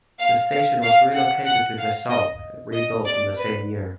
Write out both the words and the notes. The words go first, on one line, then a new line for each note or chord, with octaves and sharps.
The station was relocated to the south and rebuilt in the same year.
F5
F5
F5
F#5
F#5
F5
D#5
D#5
D5
B4